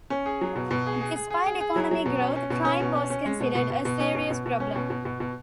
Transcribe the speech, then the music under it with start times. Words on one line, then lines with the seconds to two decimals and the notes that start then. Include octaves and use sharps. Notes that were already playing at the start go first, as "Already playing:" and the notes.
Despite economic growth, crime was considered a serious problem.
0.10 C#4
0.26 G#4
0.41 F#3
0.56 B2
0.71 B2
0.86 G#4
1.01 G#4
1.16 G#4
1.31 G#4
1.46 G#4
1.60 G#4
1.76 F#3
1.91 F#3
2.06 B2
2.20 C#4
2.36 C#4
2.50 B2
2.65 C#4
2.80 B2
2.95 C#4
3.10 C#4
3.26 G#3
3.40 B2
3.55 B2
3.70 B2
3.85 B2
4.00 C#4
4.15 B2
4.30 B2
4.46 B2
4.60 C#4
4.76 B2
4.90 B2
5.05 B2
5.20 B2